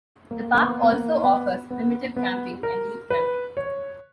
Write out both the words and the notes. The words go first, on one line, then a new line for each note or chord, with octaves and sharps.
The park also offers primitive camping and youth camping.
A#3
A#3
B3
B3
A#3
B3
B3
B3
A#4
B4
C#5